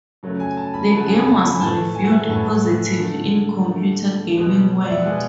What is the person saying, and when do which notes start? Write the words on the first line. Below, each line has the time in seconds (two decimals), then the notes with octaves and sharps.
The game was reviewed positively in "Computer Gaming World".
0.23 C#3 F#3 A3
0.40 G#5
0.57 A5
0.74 B5
0.91 C#3 F#3 A3 A5
1.00 F#5
1.08 G#5
1.18 B5
1.26 A5
1.44 B5
1.54 G#5
1.61 A2 E3 A3 A5
1.95 G#5
2.04 F#5
2.11 E5
2.20 F#5
2.29 A2 E3 A3 A5
2.99 D3 A3
3.67 D3 A3
4.37 B2 G#3
4.84 D5
4.91 E5
4.98 F#5
5.05 B2 G#3 G#5